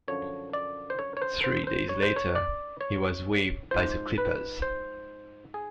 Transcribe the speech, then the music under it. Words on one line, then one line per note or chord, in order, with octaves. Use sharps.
Three days later, he was waived by the Clippers.
F#2 D3 F3 C#5
D5
C5
C#5
C#5
C5
C5
C5
C#5
C5
C#5
D5
C#5
G#2 F3 C5
B4
C5
G#4